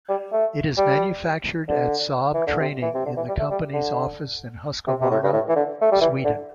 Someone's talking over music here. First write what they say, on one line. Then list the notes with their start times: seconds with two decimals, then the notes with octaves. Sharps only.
It is manufactured at Saab Training in the company's office in Husqvarna, Sweden.
0.09 G3
0.32 A3
0.77 G3
1.69 D3
2.34 E3
2.47 D3
2.60 C3
2.82 E3
2.95 C3
3.06 D3
3.17 E3
3.28 G3
3.39 A3
3.51 G3
3.73 D3
4.87 C3
5.01 C3
5.11 A2
5.23 G2
5.33 A2
5.49 E3
5.56 D3
5.82 A3
5.92 G3
6.01 E3
6.24 D3